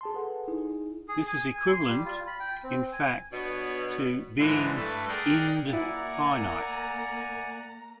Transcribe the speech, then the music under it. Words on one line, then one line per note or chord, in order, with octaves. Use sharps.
This is equivalent, in fact, to being 'ind-finite'.
G#4 A5 C6
G#4 A4 B4 F#5
D#4 E4 G#4
G#4
G#5
G#5
C6
G3
F4
B5
G5
C4
G#5
B2 B3 D4 C#5
G#2 D3 E3
G2 A3 A4 B4
G#4 A#4 D5 F#5 G5
A#3 E4 D5 F#5 G#5 A#5